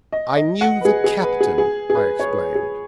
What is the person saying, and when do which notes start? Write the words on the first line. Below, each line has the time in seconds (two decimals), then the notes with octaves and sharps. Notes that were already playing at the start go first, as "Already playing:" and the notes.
"I knew the captain," I explained.
0.12 D#5
0.37 D#5
0.61 F#5
0.81 B4
0.85 G#4
1.04 G#4
1.22 B4
1.41 G#4
1.58 G#4
1.90 G#4
1.95 B4
2.20 C#5
2.31 B4
2.55 G#4